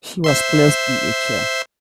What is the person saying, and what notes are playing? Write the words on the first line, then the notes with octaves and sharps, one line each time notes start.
She was placed in a chair.
C5 E5 C6